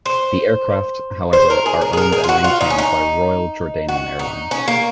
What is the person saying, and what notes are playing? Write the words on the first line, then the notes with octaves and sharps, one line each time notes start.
The aircraft, however, are owned and maintained by Royal Jordanian Airlines.
C5
C5
A#4
G#4
A#4
G#4
A#4
G#4
F4
F#4
F4
D#4
C#4
D#4
F#4
D#4
C#4
A#3